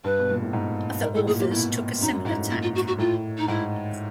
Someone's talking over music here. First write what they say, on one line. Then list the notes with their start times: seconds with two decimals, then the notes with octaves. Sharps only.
Other authors took a similar tack.
0.04 G2 B4
0.19 B2
0.31 A#2
0.42 A2
0.53 G#2
1.02 G#2 A#4
1.14 A2 A4
1.27 A#2 G#4
1.39 A#2 G4
1.51 B2 E4
2.01 F#2 D#4
2.13 F#2
2.25 G#2 E4
2.38 A2
2.49 A#2 E4
2.62 F4
2.75 F#4
2.87 F#4
2.98 A2 F4
3.37 D#4
3.47 G#2 E4